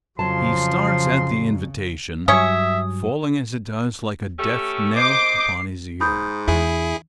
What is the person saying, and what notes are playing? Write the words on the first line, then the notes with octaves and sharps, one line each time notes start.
He starts at the invitation--falling, as it does, like a death-knell upon his ear.
F2 C#3 F3 F#3 A5 C6
G2 F#3 C#4 C#5 E5 D#6
A3 C#4 G4 E6
C5 D#5 D6 C7
G#2 B5 D#6 G6
E2 D4 E4 G#4